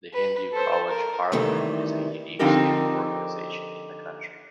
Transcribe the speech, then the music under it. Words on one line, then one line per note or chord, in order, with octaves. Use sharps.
The Hindu College Parliament is a unique student organisation in the country.
B4
A4 C5
A#4
C3 D#3 E3 G3 A3
D3 F3 C4 D#4 G4 A#4